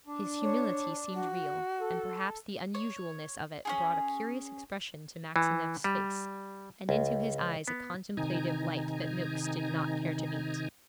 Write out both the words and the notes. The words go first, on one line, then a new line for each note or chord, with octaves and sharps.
His humility seemed real, and perhaps the unusualness of it brought a curious expression to Maxineff's face, and into his eyes a contemplative light that Noakes did not care to meet.
D4
C#5
F#4
A4
C#5
C#4 F4 G#4
E3
G3
C#2
B3
C3 D#3 D#4 G#5 A#5